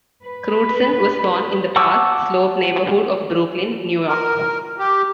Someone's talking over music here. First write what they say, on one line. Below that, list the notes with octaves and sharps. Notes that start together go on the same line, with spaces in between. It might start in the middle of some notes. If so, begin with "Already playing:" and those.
Crewdson was born in the Park Slope neighborhood of Brooklyn, New York.
B4
F#5 A5 C#6 D6 E6
A#4
G4